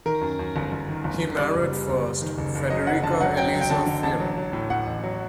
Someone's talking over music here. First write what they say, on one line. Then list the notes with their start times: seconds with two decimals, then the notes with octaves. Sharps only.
He married first Frederica Eliza Fearon.
0.06 D#3 A#4
0.21 F#2
0.39 F#2
0.56 G1
0.72 G1
0.88 D#3
1.04 G1
1.22 F#2
1.38 G3 D5
1.55 F#1
1.72 G3
1.88 F#1
2.04 F#1
2.22 D#3
2.38 F#1
2.55 F#1
2.70 F#3 D#5
2.87 F#1 F#5
3.04 D3 A5
3.21 F#3 F#5
3.37 F#3 G5
3.54 F#3
3.61 G5
3.70 D3 A5
3.87 D3
4.03 A1 A5
4.20 F#3
4.38 F#3
4.53 A2
4.70 A2 F#5
4.86 A1
5.04 F#3